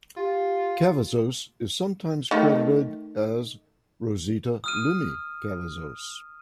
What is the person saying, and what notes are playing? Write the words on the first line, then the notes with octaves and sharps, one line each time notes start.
Cavazos is sometimes credited as "Rosita Lumi Cavazos".
F4 G4
D#3 A3
D#6 F6 D#7